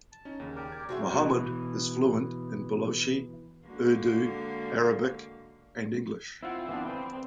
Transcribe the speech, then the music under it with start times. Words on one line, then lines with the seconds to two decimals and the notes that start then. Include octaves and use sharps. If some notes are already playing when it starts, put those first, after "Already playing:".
Mohammed is fluent in Balochi, Urdu, Arabic, and English.
0.12 A5
0.25 C#4 D#4
0.40 D#2 C#3
0.55 G4 A#4 D5
0.72 G#6
0.89 F#4 G#4 C5 E5 A#5
1.14 B2 E3
3.67 D3 G#3 A#3 F#4 A#4 F5
6.43 C4 E4 F4 F#5
6.69 E3 B3 D4
6.89 B4 C5